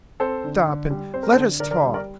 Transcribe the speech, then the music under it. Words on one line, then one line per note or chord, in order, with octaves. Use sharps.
"Stop, and let us talk."
C4 A4 C5
D3
D3
G3
C4 C5
A#4
A4 C5
D3
D3 A#4 D5
A#4 D5
G3
A#4 D5